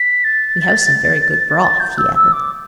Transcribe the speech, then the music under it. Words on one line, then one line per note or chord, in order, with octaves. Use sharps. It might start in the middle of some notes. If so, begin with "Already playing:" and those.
"We have some very good broth," he added.
Already playing: B6
A6
A6
G6
E6
E6
D6